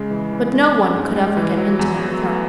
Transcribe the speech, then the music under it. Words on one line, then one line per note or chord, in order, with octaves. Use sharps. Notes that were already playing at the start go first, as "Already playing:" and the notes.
But no one could ever get intimate with her.
Already playing: C#3 G#3
E3
E3
G#3
C#4
G#2
G#3
E3
F#3
E2
F#3
A3